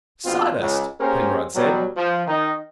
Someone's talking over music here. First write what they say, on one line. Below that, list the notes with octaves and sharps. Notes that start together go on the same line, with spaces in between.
"Sawdust," Penrod said.
A#1 B2 C4 F4
C#2
A#3 C#4 G4 G#4 A#4 C5
B2 F#3 G3
F3
D#3 D#4